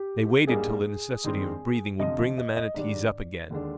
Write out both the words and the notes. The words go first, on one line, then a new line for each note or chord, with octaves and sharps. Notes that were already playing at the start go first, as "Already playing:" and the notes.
They waited till the necessity of breathing would bring the manatees up again.
Already playing: G4
G#2 G3 A#3 D4 G#4
G2 D#3 G#3 C4
D2 C3 F3 D#5
D#5
D#5
D#5
G#2 D#3 G3 D4 D5
D#2 D3 G#3 D4